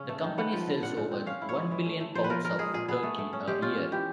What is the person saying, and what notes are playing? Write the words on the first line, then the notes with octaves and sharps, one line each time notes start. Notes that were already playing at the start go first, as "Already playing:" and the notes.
The company sells over one billion pounds of turkey a year.
Already playing: C#3 C#4
A3
D#3
B3 F#5
F3
D3
A#2 F#5
A#2
C4
C#4 F5
E4
C#5
G#3
E3
A3
A3
F3 C5
B4
F3 A#4
F3 A#4
G#3 G#4
A#2 G#4
B3 G#4
A3
A3
C#4
G#3 G4
C#4 F4
C#4
E3 G4